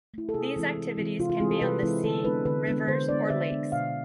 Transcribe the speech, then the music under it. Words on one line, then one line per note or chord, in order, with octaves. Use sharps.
These activities can be on the sea, rivers or lakes.
A3 E4
A4
C3 G#4
E3 G#3 C4 E4
C3
E3 G#3 C4 E4
C3 F4
F4
E3 G#3 C4 E4 G#4
A4
C3 B4
E3 G#3 C4 E4
D3 A4
G#3 B3 D4 B4
D3 B4
G#3 B3 D4
D3 C5
G#3 B3 D4 D5
D3 E5
G#3 B3 D4
B2 F5